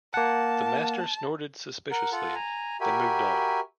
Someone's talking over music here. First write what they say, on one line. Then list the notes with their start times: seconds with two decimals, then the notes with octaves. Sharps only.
The master snorted suspiciously, then moved on.
0.14 A#3 F#5 A5
1.91 A#4 F#5
2.12 F4 A4 F#5
2.35 G#5 A#5
2.81 F#4 G4 A#4 E5 G#5 B5